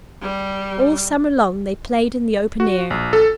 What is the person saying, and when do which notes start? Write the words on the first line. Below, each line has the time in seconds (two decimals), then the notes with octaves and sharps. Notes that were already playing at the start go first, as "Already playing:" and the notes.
All summer long they played in the open air.
0.22 G3
2.60 F#4
2.90 A#1
3.13 A4